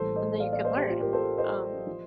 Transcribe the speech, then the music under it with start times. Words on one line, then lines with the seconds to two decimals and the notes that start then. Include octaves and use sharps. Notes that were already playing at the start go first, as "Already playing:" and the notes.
and then you could learn, um.
Already playing: A1 A2 G3 A#3 A4 C5
0.16 C5 D#5
0.40 D5 F5
0.52 D5 F5
0.64 C5 D#5
0.77 G4
0.89 F4
1.01 G4 A#4
1.13 A4 C5
1.38 C5 D#5
1.87 F3